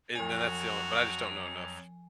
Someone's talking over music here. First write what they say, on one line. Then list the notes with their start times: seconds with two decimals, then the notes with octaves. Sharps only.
And then that's the only but I just don't know enough.
0.15 F2 F3 F#3 F#4 G#5 F7